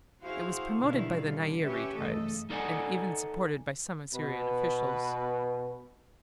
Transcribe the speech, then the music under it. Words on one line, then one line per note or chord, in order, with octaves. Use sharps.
It was promoted by the Nairi tribes, and even supported by some Assyrian officials.
E4 F#4 G#4 C5 F5
B2 D3 D#3 G3 E4 F5
D3 G3 C#4
C#4 G4 B4 C#5 E5
G2 C#3 E3 A3 A4 D#5
D#4 A4 D5 D#5 F#5 G#5
B2 B4